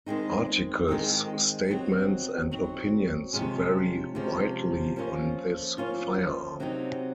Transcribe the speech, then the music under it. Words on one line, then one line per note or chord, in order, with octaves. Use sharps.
Articles, statements, and opinions vary widely on this firearm.
D#3 G#3 C4 D#4
D#3 G#3 C4 D#4
F#3 C4 D#4
F#3 C4 D#4
C3 F3 G#3 C#4
C3 F3 G#3 C#4
F3 A#3 C#4 F4
F3 A#3 C#4 F4
C3 F#3 C4 D#4